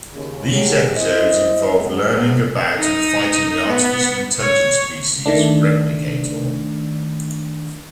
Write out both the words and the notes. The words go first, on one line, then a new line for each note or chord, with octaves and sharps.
These episodes involved learning about and fighting the artificial intelligence species Replicator.
D#2 C#3
F#3 C#4 G4 G#4
E4 C5 D#5
D#2 G#2 F#3 G#3 C4
D#4
B3
C#5
D#3 A3 D4